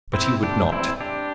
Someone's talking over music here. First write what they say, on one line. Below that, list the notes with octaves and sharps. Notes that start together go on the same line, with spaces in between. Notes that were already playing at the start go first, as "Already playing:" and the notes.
But he would not.
C4 E4
D4 G4
C4 E4
D4 G4